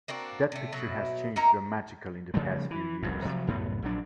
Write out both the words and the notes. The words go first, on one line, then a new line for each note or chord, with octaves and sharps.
That picture has changed dramatically in the past few years.
A#3 C4 D4 F#4
C3 A3
B2 F#3 E4
D#4 E4 A#4 A#5
C#3 F3 G3 A3
E3
F1 C2 F#2
C3 F3 F#3
C2 F#2 A2 B3
A#1 F#3 D4